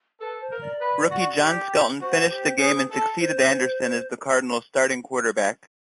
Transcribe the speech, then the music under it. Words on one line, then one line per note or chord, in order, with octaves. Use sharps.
Rookie John Skelton finished the game and succeeded Anderson as the Cardinals' starting quarterback.
A4 B4
C5
A#4
D5
B4
F#4
G4
F#4 C5
G4
G#4
A4
C5